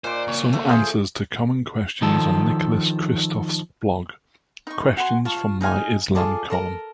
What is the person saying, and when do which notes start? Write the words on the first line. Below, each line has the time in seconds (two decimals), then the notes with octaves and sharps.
Some answers to common questions on Nicholas Kristof's blog: Questions from My Islam Column.
0.04 A#2 D4 D#4 C5 C6 D6
0.28 C#2 A#3 C#5
0.53 D#3 A3 F#4 C5
0.69 F4 G#4 A4 C5
2.02 D#3 F3 A4
4.67 D#4 C#6
4.97 F#4 G#5 C6
5.25 F4 A5 C#6
5.61 D#4 G#4 F5 G#5
6.15 F4 G#4 A4 D5
6.50 A4 A#4 A#5